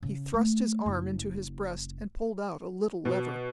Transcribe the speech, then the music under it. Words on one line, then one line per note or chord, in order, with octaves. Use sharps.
He thrust his arm into his breast, and pulled out a little lever.
C#3
A3
F#1
B2